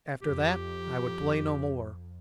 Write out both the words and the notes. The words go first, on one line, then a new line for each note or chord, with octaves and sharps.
After that I would play no more.
F2 G4